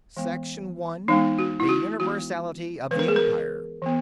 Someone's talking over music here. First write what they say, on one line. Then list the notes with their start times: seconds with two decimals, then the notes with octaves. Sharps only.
Section One: The universality of the Empire.
0.17 E3 G#3 B3
1.08 E3 G#3 B3 D#4
1.39 F#4
1.60 E4
1.69 F#4
1.99 E3 G#3 B3 F#4
2.91 E3 G#3 B3 B4
2.99 A#4
3.08 G#4
3.16 A#4
3.82 E3 B3